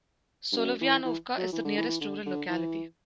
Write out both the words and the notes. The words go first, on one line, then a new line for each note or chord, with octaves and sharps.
Solovyanovka is the nearest rural locality.
G2
F#2
E3
E3
F#3
E3
D3
E3
E3
D3
D3
E3